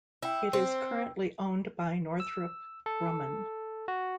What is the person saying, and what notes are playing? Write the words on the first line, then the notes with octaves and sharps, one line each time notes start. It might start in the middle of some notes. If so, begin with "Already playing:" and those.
It is currently owned by Northrop Grumman.
E4 G5 E6
C4
E6
A4
F#4